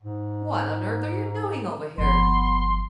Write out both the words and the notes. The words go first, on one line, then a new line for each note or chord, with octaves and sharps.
"What on earth are you doing over here?"
G#2
G1 F3 B3 C6